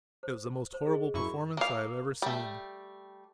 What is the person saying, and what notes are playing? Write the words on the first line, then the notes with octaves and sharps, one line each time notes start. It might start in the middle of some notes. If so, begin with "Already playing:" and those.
It was the most horrible performance I have ever seen.
C5
C5
G#4 D#5
F#2 E4 A#4 E5 C#6 E6
A#3 F5
G3 A3